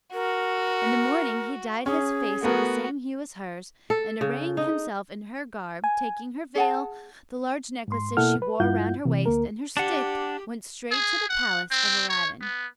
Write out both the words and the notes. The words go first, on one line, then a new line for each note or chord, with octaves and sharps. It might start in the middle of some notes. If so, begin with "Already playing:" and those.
In the morning he dyed his face of the same hue as hers, and arraying himself in her garb, taking her veil, the large necklace she wore round her waist, and her stick, went straight to the palace of Aladdin.
F#4 A#4
C#4 G#4
A3 B3 F#4 A#4
A4
C#3
D#4
G#5
G#4 F#5 A5
G#2 C6
B2 A#3 E4 A4 F#5 F6
B4
G2 E4 F4 F#5 G6
C3 E3
D2 A#3 A#4
D4 G4 F#5
G#4
F#5
C4
C#5
B3